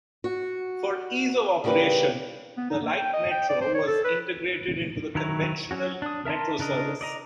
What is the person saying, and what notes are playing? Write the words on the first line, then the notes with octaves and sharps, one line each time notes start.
For ease of operation, the Light Metro was integrated into the conventional Metro service.
F#4
C#3 G3 A#3 G4 B4
B3
D#4
A#3
G5
D#5
G5
D5
C5
C#5
A4
B4
D#3 F#3 E4 C#5 A#5
F#3 C#4 F#4
D4 D#6
A#4 E5 A5 A#5 C6
C#3 D4 A#4 D#5
D5 D#5 A#5